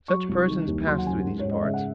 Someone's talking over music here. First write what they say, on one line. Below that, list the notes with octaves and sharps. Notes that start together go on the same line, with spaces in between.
Such persons pass through these parts.
F#3 C#6
C2
D#3
D#2
F#3 C6
F#5
F#1 G#5
G#2
C#5
G#2
D#5
C#3 E5
F#5